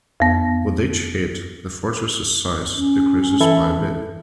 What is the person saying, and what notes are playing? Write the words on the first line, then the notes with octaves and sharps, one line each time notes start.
With each hit the fortress' size decreases by a bit.
F2 B3
C#4
E3 E4 A4